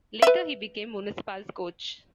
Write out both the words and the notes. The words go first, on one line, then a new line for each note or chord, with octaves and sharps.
Later, he became Municipal's coach.
B4 E5